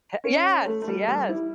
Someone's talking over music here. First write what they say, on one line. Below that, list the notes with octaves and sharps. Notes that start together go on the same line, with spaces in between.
yes, yes,
C#4
A3
A3
G3
G3
E4